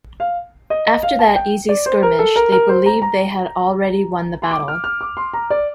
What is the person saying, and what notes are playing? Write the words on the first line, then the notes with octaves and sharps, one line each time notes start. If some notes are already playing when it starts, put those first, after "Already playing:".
After that easy skirmish they believed they had already won the battle.
F5
D#5
D#5
F5
A5
G5
D5
C5
A#4
A4
A#4
A#4
C5
A#5
A#5
C6
D6
F6
F6
D6
C6
A#5
D5